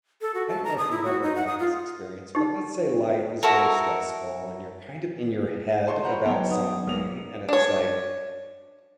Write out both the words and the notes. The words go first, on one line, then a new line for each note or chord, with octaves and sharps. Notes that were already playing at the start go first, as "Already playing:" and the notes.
I don't know if you've ever had this experience, but let's say life is really stressful, and you're, kind of, in your head about something, and it's, like,
A4
F#4
A5
A#5
D#6
E4
F#4
D#4
F#5
D#6
F4
D#4 G4
E4 F#4 A4 A#4
A5 C6 C#6
C5 F#5 A#5 B5
F#3 B3 C#5 G5 A5
D#4 D#6
B1 G#3 A#3 F7
D4 C#5